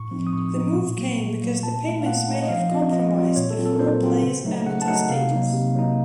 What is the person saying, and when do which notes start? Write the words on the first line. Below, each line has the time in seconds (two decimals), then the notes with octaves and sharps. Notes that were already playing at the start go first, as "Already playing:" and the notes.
The move came because the payments may have compromised the four players' amateur status.
Already playing: A2 C#6
0.11 F3 C4 D#4
0.27 D#6
0.33 A2 C#6
0.55 F3 C4 D#4
0.76 A#2
0.98 F#3 A#3
1.20 A#2
1.41 F#3 A#3
1.63 A#2 A5
1.85 A3 D#4
2.01 F5
2.06 A#2 F#5
2.28 A3 D#4
2.35 C#5
2.43 D#5
2.49 F3 F5
2.71 C4 F4 D#5
2.92 F3 D#5
3.15 C4 F4
3.36 A#2 C#5
3.50 A4
3.58 F#3 C4 F4
3.65 A4
3.73 A#4
3.79 A#2 C5
4.01 F#3 C4 F4
4.23 C#3
4.45 F#3 A3 D#4
4.66 C#3 F#5
4.82 A5
4.87 F#3 A3 D#4 F#5
5.09 C3 F5
5.31 F#3 A#3 D#4
5.53 C3
5.75 F#3 A#3 D#4